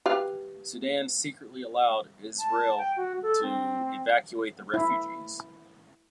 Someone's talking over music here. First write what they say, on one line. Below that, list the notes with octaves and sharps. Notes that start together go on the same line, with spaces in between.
Sudan secretly allowed Israel to evacuate the refugees.
G4 B4 F5
A5
G5
F#4
A4
C4
E4